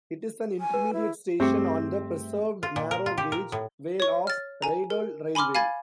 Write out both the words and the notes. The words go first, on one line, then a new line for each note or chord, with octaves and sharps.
It is an intermediate station on the preserved narrow gauge Vale of Rheidol Railway.
G#5
B4
E4
G2 A3 C4 G4 G#4 E5
F4
A#2
A#4
F4
G4
A#4
A2
C#5 C#6
F6 A6
G#5 A#5
A#4
G#5 B5 C6 D6 F6
F5 G#5 B5 G#6 A6